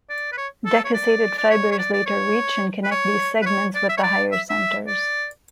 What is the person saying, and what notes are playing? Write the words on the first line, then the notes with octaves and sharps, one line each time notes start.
Decussated fibers later reach and connect these segments with the higher centers.
D5
B4
C#5
A4
C#5
D5
D5
C#5
C#5
D5
D5
C#5
B4
C#5
B4
C#5
D5
E5
C#5
D5
E5
E5
D5